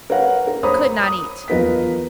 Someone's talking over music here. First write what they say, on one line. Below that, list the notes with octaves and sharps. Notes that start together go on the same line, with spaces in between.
He could not eat.
A#4 B4 C#5 F5 F#5
A#4
C5 C#5 A#5 B5 D#6
D#6
E2 F3 A#4 B4 D#5 B6